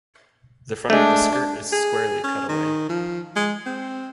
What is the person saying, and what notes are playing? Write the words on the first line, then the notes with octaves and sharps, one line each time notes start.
The front of the skirt is squarely cut away.
G#3 A3 D4
G#4
C#4
D#3
F3
G#3
C4